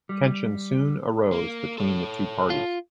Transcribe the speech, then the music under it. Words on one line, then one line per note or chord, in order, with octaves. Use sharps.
Tensions soon arose between the two parties.
G3
A#3
A4 C#5
F4